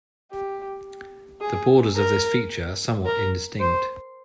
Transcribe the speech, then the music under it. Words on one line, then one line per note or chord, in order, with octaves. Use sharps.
The borders of this feature are somewhat indistinct.
G4
G#4
A#4
A#4
C5